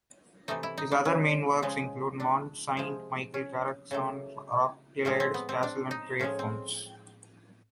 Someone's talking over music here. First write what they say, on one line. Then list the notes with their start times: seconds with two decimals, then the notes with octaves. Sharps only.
His other main works include Mont Saint-Michel, Carcassonne, Roquetaillade castle and Pierrefonds.
0.48 C3 E3 A3 D#4
0.63 E4
0.78 D#4
0.92 D4
1.05 C#4
1.63 C#3 F3 G#3
2.20 D4
2.77 C3 F3 G#3
3.34 C#4
3.91 C#3 F#3 A3
5.05 A2 F3 G#3 C#4
5.20 C4
5.34 B3
5.49 C4
5.63 D4
5.91 D#4
6.20 A2 F3 G#3 C#4
6.39 C4